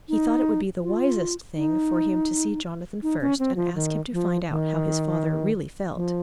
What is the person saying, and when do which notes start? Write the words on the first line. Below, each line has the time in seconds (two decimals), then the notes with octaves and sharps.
He thought it would be the wisest thing for him to see Jonathan first and ask him to find out how his father really felt.
0.09 D#4
0.83 F4
1.57 D#4
3.03 D#4
3.21 C#4
3.39 C4
3.57 F3
3.75 D#3
4.13 F3
4.49 D#3
5.95 F3